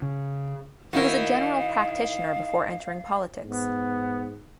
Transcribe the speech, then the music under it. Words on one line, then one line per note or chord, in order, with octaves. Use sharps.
He was a general practitioner before entering politics.
C#3
D#3 E4 F#4 A#4 F5
G#2 B3